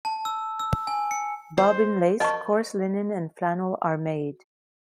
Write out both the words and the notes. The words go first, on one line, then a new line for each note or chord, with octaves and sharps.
Bobbin lace, coarse linen, and flannel are made.
A5
E6
E6
G#5
C#7
C5
A#4 C5 D#5 A5 C#6